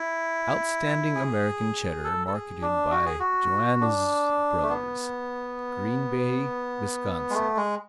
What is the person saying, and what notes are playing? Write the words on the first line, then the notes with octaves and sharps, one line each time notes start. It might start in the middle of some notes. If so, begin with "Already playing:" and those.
Outstanding American Cheddar marketed by Joannes Brothers, Green Bay, Wisconsin.
Already playing: E4
G#4
A4
A4
G#4
D4
F#4
G#4
F#4
D4
A3
B3
G#3
A3
G#3